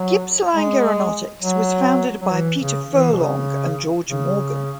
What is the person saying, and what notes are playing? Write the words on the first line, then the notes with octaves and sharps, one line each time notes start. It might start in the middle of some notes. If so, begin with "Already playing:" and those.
Gippsland Aeronautics was founded by Peter Furlong and George Morgan.
Already playing: F#3
G#3
F#3
F#3
E3
C#3
E3
B2
C#3
C#3